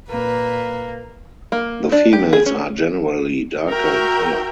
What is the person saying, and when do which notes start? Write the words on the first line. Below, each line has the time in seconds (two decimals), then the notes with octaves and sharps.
The females are generally darker in color.
0.10 A#2 A#3 B4
1.52 A#3
1.92 D4
2.13 G4
2.33 G#4
2.46 C#4
3.69 F#4 A#4 E5 G5